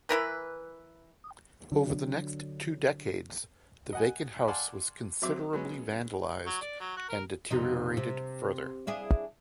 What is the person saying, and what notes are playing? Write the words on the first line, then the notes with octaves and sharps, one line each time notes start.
Over the next two decades, the vacant house was considerably vandalized and deteriorated further.
E3 E4 A#4 B4
D3 F#3 B3 D4
D#5 F#5 G#5
D5 F5 F#5 G#5 A5 C6
F#3 C4 E5 D6
F#3 G#3 B3 C#4
F#3
D5
F#3
F#4
A#4
F2 C3 D#4
C3
D4 E4 G#4